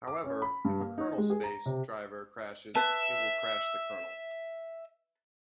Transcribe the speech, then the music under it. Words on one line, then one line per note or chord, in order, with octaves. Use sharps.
However, if a kernel-space driver crashes it will crash the kernel.
D6
C#4
B5
G2
A#3
D#4
G#3
G#4
A#5
C3
B4 E5 A5